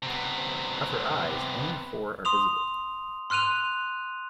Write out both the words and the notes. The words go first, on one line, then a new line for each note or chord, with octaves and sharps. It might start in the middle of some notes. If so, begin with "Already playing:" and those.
Of her eyes, only four are visible.
C3 B3
C6 D#6 F7
C6 F6 F#6 D#7 F7